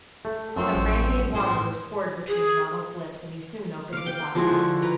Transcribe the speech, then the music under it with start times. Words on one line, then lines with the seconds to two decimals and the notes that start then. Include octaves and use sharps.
Some brandy and water was poured between Ronald's lips, and he soon opened his eyes.
0.25 A3
0.56 F#2 F3 C4 C#6 E6
0.74 A1
1.34 A2 G#3 C5 G5
2.27 G#4
3.93 F5 D6
4.06 G5
4.35 F3 G#3 E4 F#4
4.50 D3
4.82 B4 G5 A#5